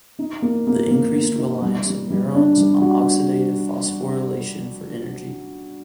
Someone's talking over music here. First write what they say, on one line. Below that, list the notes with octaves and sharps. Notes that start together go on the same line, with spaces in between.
The increased reliance of neurons on oxidative phosphorylation for energy.
D#4
A#3
A#3
A#3
A#3
D#4
G3
G3
G3
D4
G3
F#4